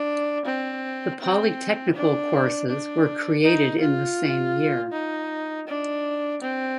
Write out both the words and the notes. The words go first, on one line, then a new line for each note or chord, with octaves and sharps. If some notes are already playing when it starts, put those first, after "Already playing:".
The polytechnical courses were created in the same year.
Already playing: D4
C4
C4
D4
D4
D#4
F4
D#4
D4
C4